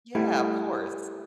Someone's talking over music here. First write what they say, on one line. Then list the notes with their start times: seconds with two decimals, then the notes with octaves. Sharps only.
Yeah, of course.
0.15 G3 A3 E4